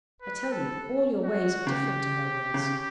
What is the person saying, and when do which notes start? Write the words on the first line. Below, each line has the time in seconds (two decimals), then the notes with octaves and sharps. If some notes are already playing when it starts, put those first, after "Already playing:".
I tell you, all your ways are different to her ways.'
0.22 B4
0.52 A4
1.24 F#4
1.67 C#3 G4
2.54 C#3